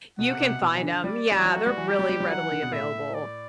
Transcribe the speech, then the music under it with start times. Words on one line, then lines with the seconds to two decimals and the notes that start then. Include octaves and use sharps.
You can find 'em yeah, they're really readily available.
0.19 B2 F#5
0.30 C3
0.40 C3
0.51 B2
0.61 B2
0.75 E3
0.82 D3
1.04 G3 D5
1.32 G3
1.39 E3
1.46 F#3 F#4
1.56 A3
1.67 G3
1.77 E3
1.88 F#3 G4
1.99 G3
2.09 G3
2.20 G3
2.30 F#3 F#5
2.40 E3
2.51 D3
2.62 B2
2.72 A2 E5
3.14 D5